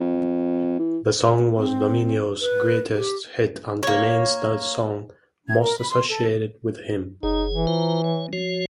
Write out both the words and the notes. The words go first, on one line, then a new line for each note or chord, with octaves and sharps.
The song was Domino's greatest hit and remains the song most associated with him.
F2
E3
C4
B4
G4
A#3 C#5
G#6
A#4
B5
C6
A4
F#1 D#4 G#4
E3
F4 C5 A#5
C#5
F3 F#4 C#5